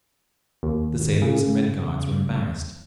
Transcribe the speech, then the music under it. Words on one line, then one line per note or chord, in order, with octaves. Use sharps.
The sailors and Red Guards were embarrassed.
D#2
C#3